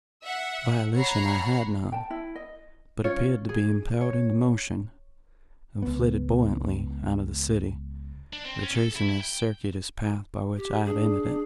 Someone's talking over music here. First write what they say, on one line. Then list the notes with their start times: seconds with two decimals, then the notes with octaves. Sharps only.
Volition I had none, but appeared to be impelled into motion, and flitted buoyantly out of the city, retracing the circuitous path by which I had entered it.
0.23 E5 F#5
0.95 C#5 F#5 A#5 B5 C7
1.92 G5 A5
2.10 E4
2.35 D#5
3.04 C#4 F4 C#5
3.49 G#4
4.01 C#5
5.82 C#2 B3
8.33 D4
8.45 C4
8.63 C#4
8.76 A4
8.96 E4
9.09 E4
9.20 G5
10.57 G4
10.86 D4 G#4